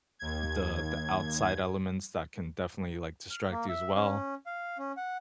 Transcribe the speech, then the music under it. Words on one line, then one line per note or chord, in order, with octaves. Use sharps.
the the outside elements that can definitely, like, distract you as well,
D#2 G#6
F6
A#3
E5
C#4
F5
C#4
F#5